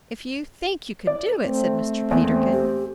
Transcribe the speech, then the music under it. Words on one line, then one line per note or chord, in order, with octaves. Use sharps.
"If you think you could do it," said Mr. Peterkin.
D5
A3 C4
E2 A#3
G4